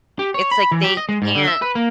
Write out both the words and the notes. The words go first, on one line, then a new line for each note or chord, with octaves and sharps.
It's, like, they can't
G4
C#5
B5
E3
G4
D#5
G#3
G#2
D3
E5
B4
A#3